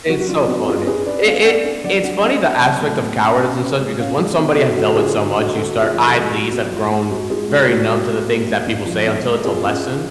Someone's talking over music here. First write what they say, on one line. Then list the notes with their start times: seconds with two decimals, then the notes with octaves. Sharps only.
It's so funny. It it it's funny, the aspect of cowardice and such, because once somebody has dealt with so much, you start I at least have grown very numb to the things that people say until it's a lesson.
0.09 F#3 F#4
0.20 F#4
0.28 D4 F4
0.48 B3 F#4
0.63 A4
0.67 B3 F4 G#4
0.87 D4 G#4 B4
1.06 D4 B4 D5
1.25 B3 C#5 F5
1.41 G#5
1.45 B3 D5 F#5
1.65 D4
1.84 F#3 D5 F#5
2.04 D4 D5 F#5
2.23 B3 D5 F#5
2.43 B3 D5 F#5
2.62 F#3
2.82 A2
3.01 B3
3.21 C#4
3.40 C#4
3.60 C#4
3.79 G#3
3.99 C#4 C#5 F5
4.18 G#3
4.38 B2
4.57 B2 F#4
4.76 D3 F#4 A4
4.96 D3 F4 G#4
5.16 D3 F#4
5.35 D3 F#4
5.55 D3 F#4 A4
5.74 D3
5.81 F4 G#4
5.93 F3
6.06 F#4 A4
6.13 G#3
6.33 G#3 F#4
6.52 B3 F#4
6.72 G#3 F4
6.91 G#2
7.11 G#3 F#4
7.30 G#3 F4 G#4
7.50 G#2 F#4
7.64 F4
7.69 G#2 F#4
7.89 G#2
8.08 G#2
8.28 G#2
8.47 G#2
8.66 D4
8.86 F3
9.06 B3
9.25 G#2
9.44 B2 F4 G#4
9.64 C#4
9.83 C#4